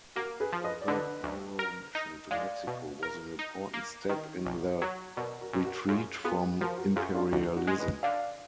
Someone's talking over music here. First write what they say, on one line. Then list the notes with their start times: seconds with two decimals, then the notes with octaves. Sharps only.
The Morrow Mission to Mexico was an "important step in the 'retreat from imperialism'".
0.16 A#3 F#4 A#4
0.40 G#4 B4
0.53 F3
0.64 B4 D#5
0.81 D5
0.87 D3 B4 D#5
1.23 D2
1.59 A#4
1.95 D#4
2.31 G#3 D5 F5
2.67 B2
3.03 A#4
3.39 D#4
3.74 A#3
4.09 D#3
4.45 B1
4.82 F#3
5.17 B2 A#4 D5
5.41 F#4 A#4
5.53 B1
5.64 F#4 A#4
5.88 F#2 F4 G#4
6.24 B3 F4 G#4
6.60 F3 F#4 A#4
6.78 F#4 A#4
6.96 F#2 F4 G#4
7.14 D4 F4
7.31 D2 D#4 F#4
7.56 D#4 F#4
7.67 G#3
7.80 B4 D#5
8.03 D3 D5 F5